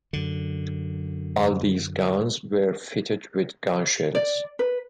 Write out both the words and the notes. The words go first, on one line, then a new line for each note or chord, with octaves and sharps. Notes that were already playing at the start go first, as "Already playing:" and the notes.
All these guns were fitted with gun shields.
F#2 D3
D5
B4